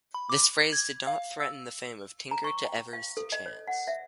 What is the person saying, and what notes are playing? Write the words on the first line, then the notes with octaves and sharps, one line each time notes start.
This phrase did not threaten the fame of "Tinker to Evers to Chance".
B5
D6
G#6
F5
E6
A#5
C#6
G5
F5
A4
D#5
C#5
F#5
E5